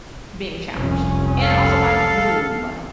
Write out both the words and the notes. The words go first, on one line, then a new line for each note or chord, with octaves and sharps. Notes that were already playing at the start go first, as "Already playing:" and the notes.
being challenged. And, also by whom.
F1 C2 C#4
A4 F5